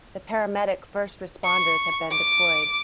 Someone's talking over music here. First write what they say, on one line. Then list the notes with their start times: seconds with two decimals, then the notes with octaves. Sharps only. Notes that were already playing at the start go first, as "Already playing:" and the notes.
The paramedic first responders have been deployed.
1.44 C#6
2.11 D6